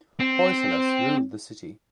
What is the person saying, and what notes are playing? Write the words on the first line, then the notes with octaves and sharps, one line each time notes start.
Hoysalas ruled the city.
C4